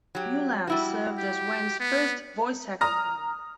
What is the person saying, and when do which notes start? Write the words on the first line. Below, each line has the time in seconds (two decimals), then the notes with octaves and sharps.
Mulan served as Wen's first voice-acting role.
0.15 F#3 G4
0.67 G3 E4 F#4
1.18 G4
1.80 B3
2.81 A#5 D#6 F6 A#6